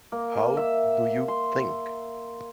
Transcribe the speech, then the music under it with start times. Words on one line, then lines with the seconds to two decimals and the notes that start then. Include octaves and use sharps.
How do you think?
0.12 A#3
0.57 E5
1.28 C6